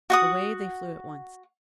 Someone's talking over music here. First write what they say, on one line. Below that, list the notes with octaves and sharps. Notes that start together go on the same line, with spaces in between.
Away they flew at once.
F#4 F#5 D#6